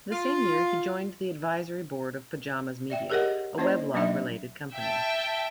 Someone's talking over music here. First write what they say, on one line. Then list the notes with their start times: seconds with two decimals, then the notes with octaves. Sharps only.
The same year he joined the advisory board of Pajamas Media, a weblog-related company.
0.11 F4
2.90 D5 E5 G5
3.10 G4 G#4 A#4 C#5 D#5 F#5
3.58 A#3 C#4 E4 C5 C#5 D#5
3.94 F#3 A#3 D4 D#4 D#5 E5
4.72 E5 G5 A5